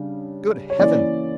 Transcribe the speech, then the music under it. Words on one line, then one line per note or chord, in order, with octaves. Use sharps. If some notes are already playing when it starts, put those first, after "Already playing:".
Good heavens!
Already playing: C#3 G3 D4
C#5
E3 A#3 C#4 E4 D5